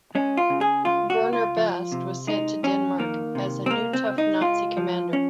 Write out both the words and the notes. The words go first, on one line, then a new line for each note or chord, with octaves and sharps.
Werner Best was sent to Denmark as a new tough Nazi commander.
G#3 C#4
F4
C#3
G#4
C#2 F4
F#4
C#2
F4
F3
C3
G#3 D#4
F2 C#4
D#3 A#3
C3
C4
C#2 A#3
C4
C#2
D#4
G#3 F4
F3
C#4